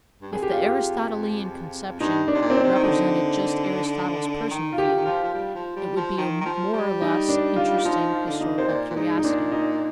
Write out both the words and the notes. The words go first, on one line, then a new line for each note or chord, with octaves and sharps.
If the Aristotelian conception represented just Aristotle's personal view, it would be a more or less interesting historical curiosity.
G2
F2 G#4
G4
F4
G4
G2 D#4
D4
C3
A#2
C4
D4
C3
D#3
D3 D#4
D#3
F4
D#3 G4
D3
D#3
F3 F4
F3
G3
F3
G3
F3
D#3
D#3
F3
G3
D#4
D4
F4
F3 D#4
F4
D3
D#4
C3 C5
A#2 D5
A#2
G#2 D#4
D#4
A#2 D4
D#4